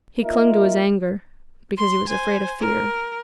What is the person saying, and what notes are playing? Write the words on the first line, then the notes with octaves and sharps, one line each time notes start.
He clung to his anger--because he was afraid of fear.
A#3 D#4 F4 A#4 D#5 E5
C6
C5 G#5
A#4